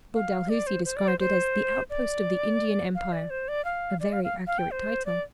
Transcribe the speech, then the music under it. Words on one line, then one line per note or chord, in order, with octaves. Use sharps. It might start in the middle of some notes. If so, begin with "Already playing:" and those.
Lord Dalhousie described it as "the outpost of the Indian Empire"--a very accurate title.
F5
D5
C5
C5
D5
C5
C5
D5
F5
D5
C5
D5
F5
D5
F5
F5
F5
G5
C5
D5